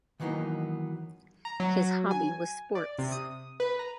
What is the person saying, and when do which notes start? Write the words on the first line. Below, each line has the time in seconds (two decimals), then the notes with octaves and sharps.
His hobby was sports.
0.20 D#3 E3 F#3 A#3 B3 D#4
1.45 A#5
1.60 F#3
2.11 G#5
2.75 D5
2.98 C3
3.12 D#6
3.60 B4
3.79 A#5